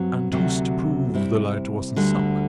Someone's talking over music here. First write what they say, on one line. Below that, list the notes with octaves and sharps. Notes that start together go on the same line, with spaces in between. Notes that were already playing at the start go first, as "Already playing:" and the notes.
And who's to prove the lighter wasn't sunk?
Already playing: G2 F#3 C4
D2 C3 F#3
C3 G3 C4 E4
D2 D3 G3